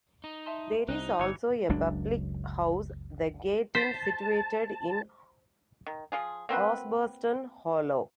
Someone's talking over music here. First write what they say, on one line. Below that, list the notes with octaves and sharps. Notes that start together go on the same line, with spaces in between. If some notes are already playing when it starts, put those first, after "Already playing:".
There is also a public house, The Gate Inn, situated in Osbaston Hollow.
D#4
E5 A5 C6
C2 C4 D#4 F#6
G1 E3 C#5
F#1 C#2 F#3 D4
C5 A5 B6
D#3
F3 F4 G#4
A#3 C4 F#4 B4